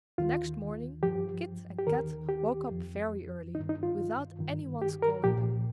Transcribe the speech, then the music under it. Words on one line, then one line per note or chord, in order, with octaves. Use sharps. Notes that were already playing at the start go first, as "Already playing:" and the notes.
The next morning Kit and Kat woke up very early, without any one's calling them.
D#2 D#3 F4
G2 F3 G4
G4
D#2 D#3 A#4
G4
F2 F3
G2 D#3 D#4
D#4
F4
G2 D#3
G4
A#4
C2 A#2 F3 G4